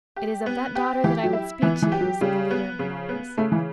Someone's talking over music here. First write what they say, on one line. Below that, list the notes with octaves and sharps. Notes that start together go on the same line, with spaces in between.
"It is of that daughter that I would speak to you," said the leader of the Mormons.
G4
B3
G4
E3 G4
F#3
E4
E3 B3
E3
G4
F#3
C#3 G3
B3
C#3
B3
C#3 A3
E3